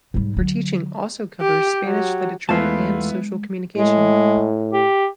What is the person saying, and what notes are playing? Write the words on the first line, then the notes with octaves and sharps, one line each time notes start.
Her teaching also covers Spanish literature and social communication.
G#2 G3
D3 F#3
G4
F#3
E2 G#3 A3 B3 E4 F4 B4 A5
A2 G#3
G4